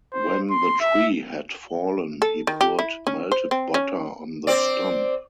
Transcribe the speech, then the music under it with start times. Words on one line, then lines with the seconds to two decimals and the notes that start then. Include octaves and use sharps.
When the tree had fallen, he poured melted butter on the stump.
0.13 C5
0.50 C6
0.80 E5
2.22 A4
2.47 D#3
2.61 G4
2.79 E4
3.07 C#4
3.32 C5
3.51 C4
3.74 C#4
4.47 C4 D5